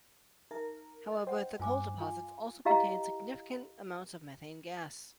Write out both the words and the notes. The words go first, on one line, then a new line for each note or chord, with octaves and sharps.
However, the coal deposits also contained significant amounts of methane gas.
D#4 A#4 E5
D#5
C5 F#5 G5
G2 F4 G#5 D6
F4 G#5
E4 G4 D#5 F5 A#5